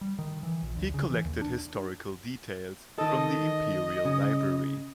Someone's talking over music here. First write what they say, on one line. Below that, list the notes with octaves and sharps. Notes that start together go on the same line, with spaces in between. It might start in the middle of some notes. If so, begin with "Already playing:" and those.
He collected historical details from the Imperial library.
G3
D#3
E3
A#1
D2
C#3
E3
D#2
D4
D#3 A4 D#5
C#3